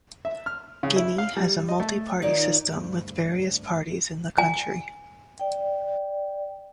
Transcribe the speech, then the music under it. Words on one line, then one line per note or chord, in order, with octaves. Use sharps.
Guinea has a multi-party system with various parties in the country.
E5
F6
C#3
E4
F5
G3
D#5
A3
D#3 D#4 F4 C#5 D5
D2 G2
G#5
D5 G5